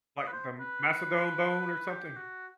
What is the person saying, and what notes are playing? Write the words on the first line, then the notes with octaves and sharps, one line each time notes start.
Like, the mastodon bone or something?
D#5
B4
C5
B4
G4
F#4